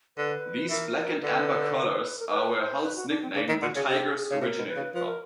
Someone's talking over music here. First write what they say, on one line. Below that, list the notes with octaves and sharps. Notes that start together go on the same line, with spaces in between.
These black and amber colours are where Hull's nickname, "The Tigers", originated from.
D3 B4
E3 A#4
D3 B4
B4
A#4
B4
C5
B4
F#4
D4
C4
C#4
C#3 D4
D#3 E4
D3 F#4
C#3 G#4
C3 G4
G#4
C#3
C3 A#4
B2
B4
C#3
F3 B4
A#4